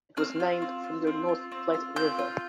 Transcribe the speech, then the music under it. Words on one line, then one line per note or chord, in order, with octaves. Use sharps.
It was named from the North Platte River.
C4 F6
F4
C4
F4
C4
F4
C4
F4
C4 G6
F4